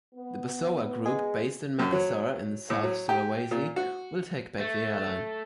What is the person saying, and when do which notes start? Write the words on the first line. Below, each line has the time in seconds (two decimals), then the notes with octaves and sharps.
The Bosowa group, based in Makassar in South Sulawesi, will take back the airline.
0.15 B3
1.06 G#3 G#4
1.79 F#2
1.92 F#3
2.70 A2
2.84 F#3
3.09 G4
3.51 A#2
3.76 F#4
4.60 A3